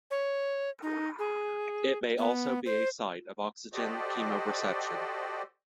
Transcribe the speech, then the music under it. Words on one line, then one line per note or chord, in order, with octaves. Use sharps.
It may also be a site of oxygen chemoreception.
C#5
D#4
G#4
B3
C5
F#4 G4 A4 C5 D5 D#5